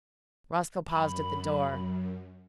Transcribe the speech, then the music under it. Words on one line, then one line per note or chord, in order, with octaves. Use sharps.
Roscoe paused at the door.
F#2 B5